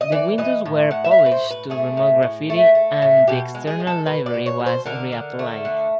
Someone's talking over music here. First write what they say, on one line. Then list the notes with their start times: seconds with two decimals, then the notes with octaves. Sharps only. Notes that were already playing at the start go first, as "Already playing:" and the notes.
The windows were polished to remove graffiti, and the external livery was re-applied.
0.01 D#5
0.12 E3 D5
0.38 E3 D#5
0.65 A2
0.91 A2 F#5
1.04 E5
1.11 F5
1.18 A2
1.26 B4
1.31 C5
1.44 A2
1.51 B4
1.70 A3 G#4
1.97 A2
2.23 A2
2.50 A3
2.75 A3
3.02 A2
3.27 B2 G4
3.55 G#3
3.67 G#4
3.80 G#3
3.87 A4
4.06 B2 B4
4.26 D5
4.34 B2
4.46 C#5
4.60 B2
4.66 C5
4.86 D3 A#4
5.12 D3
5.39 A3
5.65 D3